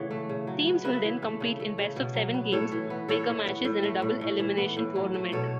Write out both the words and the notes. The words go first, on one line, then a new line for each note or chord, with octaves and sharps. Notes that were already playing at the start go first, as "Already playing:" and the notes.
Teams will then compete in best-of-seven-games Baker matches in a double elimination tournament.
Already playing: A2 C#3 E3 C#5 F#5
A3
C#3
F#3
B3
C#3 B4 E5
E3
A3
C#3
A3
C#3
B2
F#3
B3
A2 A4 C#5
E3
B3
A2 A4 C#5
E3
B3
A2
A3
A2
A2
E3
B3
A2
F#3
A3
B2 A4 C#5